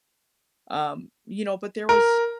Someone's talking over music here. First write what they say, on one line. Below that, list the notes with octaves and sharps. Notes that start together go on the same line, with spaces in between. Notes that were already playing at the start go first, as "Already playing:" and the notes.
um, you know? But there was,
A#4